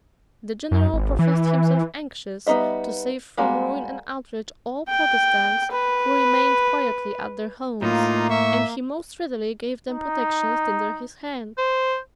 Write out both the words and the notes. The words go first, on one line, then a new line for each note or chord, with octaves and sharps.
The general professed himself anxious to save from ruin and outrage all Protestants who remained quietly at their homes; and he most readily gave them protections tinder his hand.
F#2
G#1
E3
G3 B3 D#4 D#5 E5
G3 G#3 A#3 F#4
G5
B4
A2 A#3 D#4 F4
E5 C#6
D#4
C5